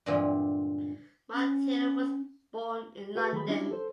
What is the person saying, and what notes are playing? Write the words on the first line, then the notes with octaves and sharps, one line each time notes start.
Monteiro was born in London.
G2 A#2 D3 E3 G#3 C4
C#4
F#4 G#4 B4
D#3 F#3 G#4 B5
G3 C#4 D4 E4 G4
A4 C5